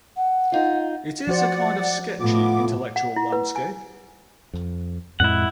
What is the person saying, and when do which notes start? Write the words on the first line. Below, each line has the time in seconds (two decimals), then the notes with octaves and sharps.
It is a kind of sketchy intellectual landscape.
0.17 F#5
0.52 D#4 F4
1.27 F3 F#4 C5 D5 F#5
2.20 A2 B3 F4 D6
2.96 F#5
3.16 E4
3.32 B4
3.56 G#5
4.53 F2
5.20 F2 A2 G#3 E4 F#5